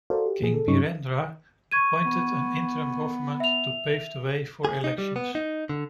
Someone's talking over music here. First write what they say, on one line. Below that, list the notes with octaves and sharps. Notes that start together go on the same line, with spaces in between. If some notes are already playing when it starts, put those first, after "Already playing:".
King Birendra appointed an interim government to pave the way for elections.
F#4 A4 A#4 C5 D5 F5
G4
A#2 G#4
A4
G2 F#3 C#4 D#4 C#6
C#6 G#6 D#7
B3
E5 F7
G#4
D#4
G3
B3
D#4
D3